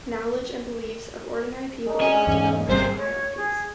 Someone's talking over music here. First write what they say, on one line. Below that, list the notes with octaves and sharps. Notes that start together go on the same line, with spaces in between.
Knowledge and Beliefs of Ordinary People about Developmental Hierarchies.
G#3 D4 D#4
C4 C#4 D5 D#5 G#5
E2 G#2 C#3 G#3
G#1 D2 C3 G3 C4 G#4 A#4 C5
C#5
G#4